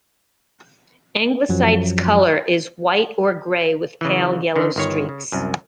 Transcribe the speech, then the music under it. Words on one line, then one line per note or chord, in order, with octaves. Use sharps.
Anglesite's color is white or gray with pale yellow streaks.
F#2 F3 F#3
C#3 E3
D3 D#3
G1 D#3 C#5
C#3
C2 F#2